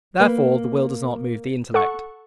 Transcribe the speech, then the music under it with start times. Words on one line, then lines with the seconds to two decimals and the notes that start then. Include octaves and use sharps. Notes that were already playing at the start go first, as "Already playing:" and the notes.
Therefore the will does not move the intellect.
0.20 A#3 B4
1.74 A4 F#5 C#6